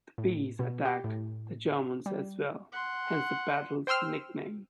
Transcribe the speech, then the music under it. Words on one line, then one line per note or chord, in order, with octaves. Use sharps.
The bees attacked the Germans as well, hence the battle's nickname.
A2
B2
G4
A2
G3
F#5 C6
C5 G5 C6 E6 F6